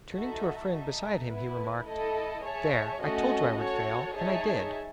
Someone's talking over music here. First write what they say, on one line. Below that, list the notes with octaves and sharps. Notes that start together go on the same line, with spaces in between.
Turning to a friend beside him he remarked, "There, I told you I would fail, and I did."
D#4 F#4 A4 E5
D#4 A4 E5
B3 E4 B4
A3 E4 A4 D#5
G#4 C#5 E5 A5
A3 C#4 F#4 A4 D#5
F#4 A4 C#5
D#4 G#4 C#5 E5 A5